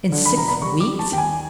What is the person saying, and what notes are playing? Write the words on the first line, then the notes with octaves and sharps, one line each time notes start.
"In six weeks?"
D3
B5
E1 A#5
B5
G3 C#6
D6
G3
A5
D#2 G5
G#5